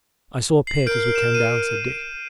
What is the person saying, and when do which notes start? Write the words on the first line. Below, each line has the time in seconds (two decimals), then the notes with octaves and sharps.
"I saw a pit as we came down," said Dick.
0.67 C7 F#7
0.86 A#4 F6 G6 D7
1.16 E7
1.35 D#7